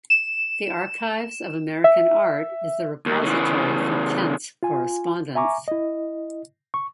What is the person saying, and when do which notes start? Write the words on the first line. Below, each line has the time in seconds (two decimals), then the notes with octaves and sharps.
The Archives of American Art is the repository for Kent's correspondence.
0.10 E7
1.84 E5
3.06 D#2
3.23 C#3 E3
4.63 F4 G#5
5.35 E5 G#5 A#5 C#6 D6
5.68 E4 D#5
6.74 C#6